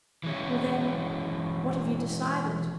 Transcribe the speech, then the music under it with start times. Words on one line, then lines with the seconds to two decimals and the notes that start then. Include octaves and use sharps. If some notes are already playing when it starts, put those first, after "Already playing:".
"Well, then, what have you decided?"
0.24 E3 G#3 C#4